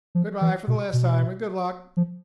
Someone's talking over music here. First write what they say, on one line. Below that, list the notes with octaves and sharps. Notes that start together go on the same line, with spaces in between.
"Good-by for the last time, and good luck."
F3
E3
B2
B2
F3